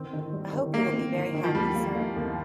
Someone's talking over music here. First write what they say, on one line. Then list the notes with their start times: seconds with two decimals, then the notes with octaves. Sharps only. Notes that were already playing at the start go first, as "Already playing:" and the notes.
I hope you will be very happy, sir.
Already playing: D#3 C4
0.13 D#3
0.33 G3
0.53 D#3
0.73 D#3 A#3
0.94 C4
1.14 D#3
1.34 D#3
1.44 F3
1.55 D#2 G3
1.75 A#3
1.95 A#3
2.16 D#2